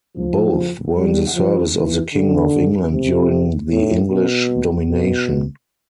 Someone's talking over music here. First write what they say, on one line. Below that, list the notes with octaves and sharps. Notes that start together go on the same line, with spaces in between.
Both were in the service of the king of England during the English domination.
F3
G3
F3
E3
D3
C3
A2
B2
B2